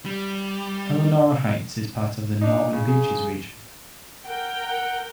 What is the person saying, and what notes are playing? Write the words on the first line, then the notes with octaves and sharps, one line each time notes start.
Elanora Heights is part of the Northern Beaches region.
G3
D4 D#4
C#3
G#4
A#4 F#5 G5
F#5